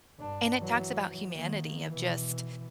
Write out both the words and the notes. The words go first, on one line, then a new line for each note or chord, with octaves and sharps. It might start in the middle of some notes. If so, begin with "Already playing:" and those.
And it talks about humanity of just
G2 D4
E3 F#3
D#3 A#3
B2 E3